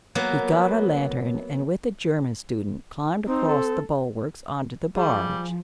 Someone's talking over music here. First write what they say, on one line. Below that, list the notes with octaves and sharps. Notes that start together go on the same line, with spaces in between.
He got a lantern and with the German student climbed across the bulwarks on to the barge.
F#3 A#3 B3
C4 D#4
A4
F3 G3 F4 G#4